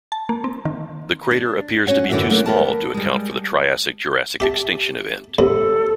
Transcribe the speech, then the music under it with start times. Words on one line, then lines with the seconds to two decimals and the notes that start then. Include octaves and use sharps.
The crater appears to be too small to account for the Triassic-Jurassic extinction event.
0.12 A5
0.29 A#3
0.44 C4
0.65 D#3
1.31 D4
1.87 C#4 F#4 C#5 F#5
2.10 F#2 D3 E3 F#4 A#4 E5
2.30 D3 E3 F#3 A3 A#3
2.46 B3 A#4 A5
2.94 G3 G#3
4.40 G4 E5 A5
5.39 D#2 G#2 C3 A4